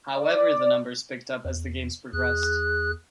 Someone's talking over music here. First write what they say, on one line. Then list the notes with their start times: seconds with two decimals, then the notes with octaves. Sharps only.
However the numbers picked up as the Games progressed.
0.17 D5
1.45 E2
2.13 E2 G#4 F#6